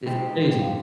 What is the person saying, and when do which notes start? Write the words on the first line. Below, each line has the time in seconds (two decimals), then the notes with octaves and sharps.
It's crazy.
0.06 A#2 G#3 D#4 G4 C5 G5
0.51 G5
0.61 F5